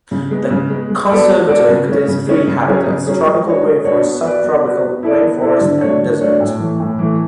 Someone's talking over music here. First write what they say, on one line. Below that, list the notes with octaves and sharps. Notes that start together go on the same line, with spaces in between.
The conservatory contains three habitats: tropical rainforest, subtropical rainforest, and desert.
C#3
G#3 B3
C#3
G#3 B3
G#3
B3 F#4 A4 D5
G#3
B3 F#4 A4 D5
C#3
G#3 C#4
C#3
G#3 C#4
C#3
F#3 C#4 G#4
C#3
F#3 C#4 G#4
G#3
D4 F#4 C#5
G#3
D4 F#4 C#5
B3
F#4 B4 D5
B3
F#4 B4 D5
B3
E4 A4 D5
B3
E4 A4 D5
D3
A3 D4 F#4 C#5
D3
A3 D4 F#4 C#5
A2
E3 A3
A2
E3 A3